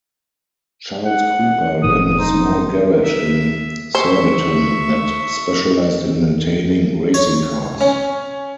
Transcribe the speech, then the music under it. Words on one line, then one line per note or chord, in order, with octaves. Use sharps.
Charles Cooper ran a small garage in Surbiton that specialised in maintaining racing cars.
F#5
F1 A2 F#3 D#6
D#4 C5
E5
C5 E5 C#6
C#5
C#4